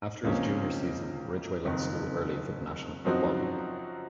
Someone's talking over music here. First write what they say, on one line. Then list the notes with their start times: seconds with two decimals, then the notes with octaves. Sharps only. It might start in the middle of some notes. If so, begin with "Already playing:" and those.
After his junior season, Ridgeway left school early for the National Football League.
0.24 C#2 C3 F3 A#3 C#4
1.65 F#1 F2 D#3
3.05 F#2 F3 C4 D#4 F#4